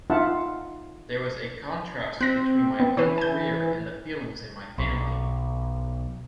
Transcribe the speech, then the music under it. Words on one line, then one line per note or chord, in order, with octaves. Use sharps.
There was a contrast between my own career and the feelings in my family.
D#4 F4 E5 F#5 A5
C4 F#6 A#6
B3
E3 B4 C#5
G#5 G6
B1